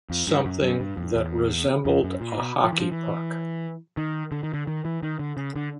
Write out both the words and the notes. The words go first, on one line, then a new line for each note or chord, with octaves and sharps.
Something that resembled a hockey puck.
F2
G2
F#2
F#2
G2
F2
E2
F2
F#2
A#2
B2
F3
E3
F3
E3
D#3
D3
D#3
D3
D#3
E3
D#3
D3
C#3
D3